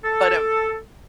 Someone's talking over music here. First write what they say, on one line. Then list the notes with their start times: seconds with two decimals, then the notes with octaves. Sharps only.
But, um
0.04 A4